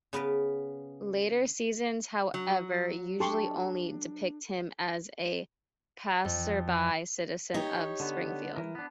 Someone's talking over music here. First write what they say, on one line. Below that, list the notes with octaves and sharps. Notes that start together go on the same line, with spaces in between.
Later seasons however usually only depict him as a passerby citizen of Springfield.
C#3 B3 A#4 B4
F#3
D4 G4 A4 C6 C#6
F2
D#4 G4 C#5
D3 B3
E3 A#4
B3 D4